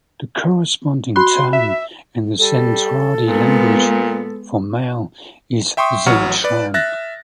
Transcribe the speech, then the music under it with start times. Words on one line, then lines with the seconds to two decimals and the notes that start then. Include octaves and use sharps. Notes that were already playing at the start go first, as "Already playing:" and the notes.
The corresponding term in the Zentradi language for "male" is "Zentran".
1.16 F#4 B5 C6 F#6
1.53 E5
2.39 G3 A4
3.27 A#2 G#3 B3
5.77 E5 G5 C6 C#6 D#6
6.06 A1 F#3 F#5 C#6 F6 C#7
6.44 B4 D5
6.74 E5 F#6 A6 A#6